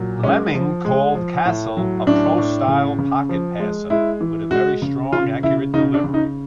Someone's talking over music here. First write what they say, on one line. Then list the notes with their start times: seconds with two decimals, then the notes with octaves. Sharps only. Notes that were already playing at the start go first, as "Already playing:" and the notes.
Lemming called Cassel a pro-style pocket passer with a very strong, accurate delivery.
Already playing: A#2 F#3
0.23 G#3 C#4
0.54 F3
0.85 G#3
1.15 F3
1.45 A2
1.77 F#3
2.07 A2 D4
2.38 A2
2.68 C#3
2.99 C#3
3.29 F3
3.59 G#3
3.90 G#3 E4
4.21 E3
4.51 G#3 F#4
4.82 C#3
5.12 C#3 F4
5.43 C#3 E4
5.74 C#3 D#4
5.94 D4
6.04 C#3
6.14 D#4